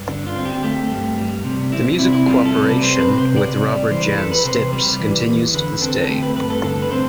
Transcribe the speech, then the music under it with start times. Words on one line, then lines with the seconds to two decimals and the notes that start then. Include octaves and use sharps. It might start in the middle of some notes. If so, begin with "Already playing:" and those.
The musical co-operation with Robert Jan Stips continues to this day.
Already playing: G2
0.08 D3 D4
0.27 F4
0.36 C4
0.45 G4
0.63 A3 G4
0.91 G2
1.18 G3
1.45 C3
1.72 C4 E4
1.86 D4
1.99 C3 E4
2.13 E4
2.27 G3 F4
2.45 A4
2.55 C3
2.63 B4
2.81 C4 C5
3.00 B4
3.09 C3
3.18 C5
3.36 C3 D5
3.64 G3
3.90 E3 C5
4.05 B4
4.18 E2 A4
4.32 B4
4.45 C3 C5
4.72 G3 B4
5.00 E3
5.27 E2
5.54 D3 B4
5.82 C4 A4
6.02 A4
6.09 A3 G4
6.23 B4
6.36 G2 B4
6.50 A4
6.64 D3 A4
6.82 B4
6.91 C4 C5